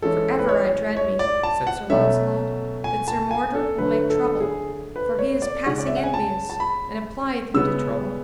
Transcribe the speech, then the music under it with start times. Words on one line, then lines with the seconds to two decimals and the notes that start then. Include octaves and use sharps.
For ever I dread me, said Sir Launcelot, that Sir Mordred will make trouble, for he is passing envious and applieth him to trouble.
0.02 E3 G#3 C#4 A4
0.39 B4
0.49 C#5
0.97 C#5
1.19 D5
1.43 A5
1.67 F#5
1.90 B2 F#3 A3 C#4 E5
2.84 G#5
3.08 A5
3.31 G#5
3.55 A4
3.78 D3 F#3 A3 B4
4.10 A4
4.40 G#4
4.96 B4
5.19 C#5
5.42 D5
5.66 C#3 G#3 C#4 F#5
5.78 D5
5.86 E5
5.96 F#5
6.04 G#5
6.14 A5
6.50 A5
6.60 B5
7.54 C#3 G#3 B3 E6